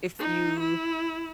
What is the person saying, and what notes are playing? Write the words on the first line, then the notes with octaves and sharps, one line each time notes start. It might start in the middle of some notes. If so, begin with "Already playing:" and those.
if you
D#4
E4